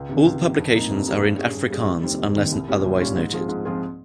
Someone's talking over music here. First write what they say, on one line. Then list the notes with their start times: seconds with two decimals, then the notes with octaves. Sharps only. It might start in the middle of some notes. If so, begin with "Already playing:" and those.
All publications are in Afrikaans unless otherwise noted.
Already playing: C#2
0.09 C3 D#3
0.25 C#2
0.41 C3 D#3
0.57 F2
0.74 C3 G3 A#3 D#4
0.91 F2
1.06 C3 G3 A#3 D#4
1.23 G2
1.38 G3 C#4 G#4
1.55 G2
1.70 G3 C#4 G#4
1.87 F1
2.03 D#2 D#3 G3 C4
2.19 F1
2.35 D#2 D#3 G3 C4
2.52 C2
2.68 A#2 G3 C#4 F4
2.84 C2
3.00 A#2 G3 C#4 F4
3.16 G#2
3.33 F3 C4 F4 G#4
3.49 G#2
3.65 F3 C4 F4 G#4